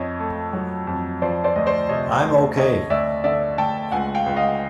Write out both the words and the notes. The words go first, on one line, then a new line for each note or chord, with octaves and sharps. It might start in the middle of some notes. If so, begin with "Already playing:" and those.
I'm ok.
Already playing: F2 C#5 D#5
A3
F#3
F2
F3 C5 D5
C5 D5
D2 D#5
C5 D5
C3 C#5 D#5
D2
D3 C#5 D#5
D2 D5 E5
D3 D5 E5
D2 G5 A5
C#2 F#5 G#5
F5 G5
C#2
D#5 F5